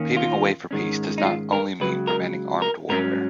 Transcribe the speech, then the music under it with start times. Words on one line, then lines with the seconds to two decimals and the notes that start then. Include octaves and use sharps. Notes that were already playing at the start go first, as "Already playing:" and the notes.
Paving a way for peace does not only mean preventing armed warfare.
Already playing: D#2 D#3 A#3 C#4
0.17 F4
0.71 G#2 D#3 G#3 C#4
1.18 D#4
1.25 F4
1.53 A#4
1.80 C#2 C#3 F#3 B4
2.07 A#4
2.62 A#4
2.89 G#2 F#3 C#4 A#4